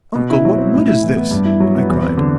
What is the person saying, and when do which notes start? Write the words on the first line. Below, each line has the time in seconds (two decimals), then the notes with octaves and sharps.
"Uncle, what wood is this?" I cried.
0.15 B2
0.31 E4
0.45 F#3
0.58 C4
0.74 A2
0.88 E4
1.03 E3
1.17 B3
1.31 G2
1.45 E4
1.60 F#3
1.75 B3
1.89 E2
2.03 C4
2.17 D3